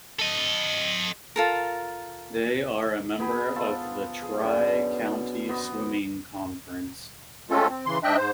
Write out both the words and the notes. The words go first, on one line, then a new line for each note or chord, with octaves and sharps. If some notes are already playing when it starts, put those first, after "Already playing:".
They are a member of the Tri-County Swimming Conference.
A4 D#5
F4 A4 A#4
B3 G#4 G5 B5
B3 F4 A4 C5
G#4
F#2 B2 D3
B3 C5 D#5
G#3 A3 C4 C#4 F4 A4
C4
C#3 E3 C6
G#2 D4 D#5 E5 G5 F#6
G#2 C5